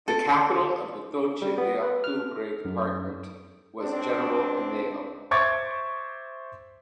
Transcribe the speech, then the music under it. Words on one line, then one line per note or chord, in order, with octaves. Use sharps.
The capital of the Doce de Octubre department was General Pinedo.
A4
G3
B3
B4
F6
F#2
C#2 C4 D4
C5 E5 C#6 D6 G#6 A6